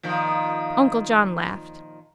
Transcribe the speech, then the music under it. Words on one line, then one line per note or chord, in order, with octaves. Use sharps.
Uncle John laughed.
A#2 D#3 F3